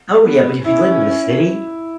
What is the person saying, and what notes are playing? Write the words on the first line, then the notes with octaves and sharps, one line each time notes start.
Oh, yeah, but if you live in the city,
B3
C#4 E4